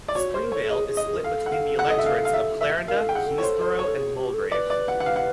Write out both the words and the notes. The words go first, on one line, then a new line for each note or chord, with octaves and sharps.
Springvale is split between the electorates of Clarinda, Keysborough and Mulgrave.
D5
F#4 C#5
G4 C5
A#4
A4 C#5
A4
G#4 D#5
G#4
D#5
G#4
A#4
A4 F5
F#5
F5
F#5
D#5
E5
F5
F5
E5
E5
A#4 F5
A4
G5
G#4 F#5
A4
C#5
C5
C5
C#5
A4
G#4
G4
A4
B4 D5
D5
F#5
F#5
F5
F#5